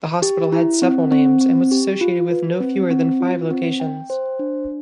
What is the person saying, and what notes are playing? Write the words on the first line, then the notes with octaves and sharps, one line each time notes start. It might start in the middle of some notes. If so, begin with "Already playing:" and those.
The hospital had several names and was associated with no fewer than five locations.
G4
E4
C4
C4
C4
G4
F4
B4
C4
C4
F4
C4
G5
C5
D4